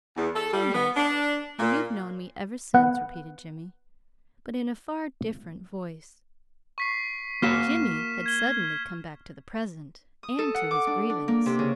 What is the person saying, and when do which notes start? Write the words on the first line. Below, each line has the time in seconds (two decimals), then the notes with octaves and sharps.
"Oh, yes--and you've known me ever since," repeated Jimmy--but in a far different voice: Jimmy had suddenly come back to the present, and to his grievance.
0.16 E2
0.35 A4
0.53 G3
0.74 B3
0.96 D4
1.59 A#2
2.74 B3 F#5
6.78 C#6 B6 C7
7.42 A#3 F#4 F5 F6 B6 E7
8.26 G#6 G7
10.23 D#6
10.39 A4
10.55 F#5
10.71 D6
10.87 D4
11.10 D4
11.28 A#3
11.46 C3
11.59 C#3